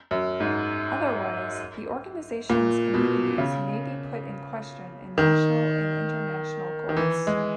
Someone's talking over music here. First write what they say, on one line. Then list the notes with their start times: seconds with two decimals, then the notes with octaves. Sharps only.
Otherwise, the organizations' immunities may be put in question in national and international courts.
0.11 F#2
0.40 G#2
2.50 A#2
2.94 B2
3.38 C#3
5.18 D#3
6.89 D#3
6.97 E3
7.27 G#3